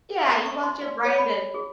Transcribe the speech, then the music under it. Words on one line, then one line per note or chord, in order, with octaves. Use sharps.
Yeah, you want your brain to
E5
C#6
C6
D5
C#5
B5
G#4